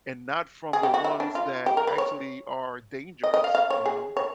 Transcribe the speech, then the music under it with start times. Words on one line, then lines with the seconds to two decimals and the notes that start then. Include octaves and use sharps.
and not from the ones that actually are dangerous, you know?
0.73 G#4
0.83 G4
0.94 F#4
1.04 E4
1.20 D4
1.35 F4
1.66 G4
1.77 A#4
1.87 B4
1.98 C#5
3.24 D#5
3.34 D#5
3.44 F5
3.55 F5
3.70 C#5
3.86 G#4
4.17 C#5